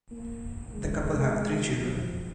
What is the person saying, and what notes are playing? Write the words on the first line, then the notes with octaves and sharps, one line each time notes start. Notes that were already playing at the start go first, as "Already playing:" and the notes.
The couple have three children.
A#3
G#3
G#3
G#3
F#3
F3